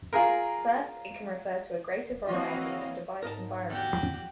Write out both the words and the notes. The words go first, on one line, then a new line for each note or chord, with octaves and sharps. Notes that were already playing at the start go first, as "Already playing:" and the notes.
First, it can refer to a greater variety of device environments.
F4 G#4 A#4
E3 A#3 C4 F#4 C#5 D#5 F5
G#2 A#4 D#5 A5
E2 F#4 G4